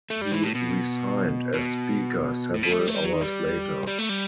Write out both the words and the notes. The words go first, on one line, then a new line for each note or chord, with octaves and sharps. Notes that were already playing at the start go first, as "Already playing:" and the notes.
He resigned as Speaker several hours later.
A3
G3
E3
A2
B2
B2
A2
B2
A3
G3
A3
G3
F#3
D#3
G3
G3
A3
G3